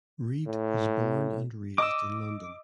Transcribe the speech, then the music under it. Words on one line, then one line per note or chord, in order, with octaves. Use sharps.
Reid was born and raised in London.
A2
D#5 D6 E6